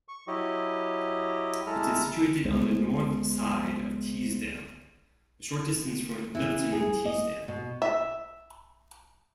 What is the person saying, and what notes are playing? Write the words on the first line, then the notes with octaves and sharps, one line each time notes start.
It is situated on the north side of Teesdale, a short distance from Middleton-in-Teesdale.
C#6
F#3 E4 G4 D#5
G#3 E4 A4 A#5 F6
C#2 G#3 B3 C5
E3
G#4
D#5
B2
E5